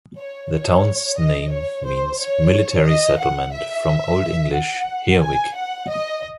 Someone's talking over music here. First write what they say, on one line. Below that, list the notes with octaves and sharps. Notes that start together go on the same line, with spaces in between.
The town's name means "military settlement," from Old English "here-wic".
C#5
C#5
D#5
C#5
C5
C#5
D#5
F#5
E5
F#5
G#5
F#5
D#5